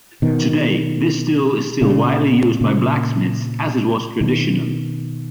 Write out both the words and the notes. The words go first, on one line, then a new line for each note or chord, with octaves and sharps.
Today, this tool is still widely used by blacksmiths as it was traditionally.
B2 D#3
A#2 C#3
A#2 C#3
B2 D#3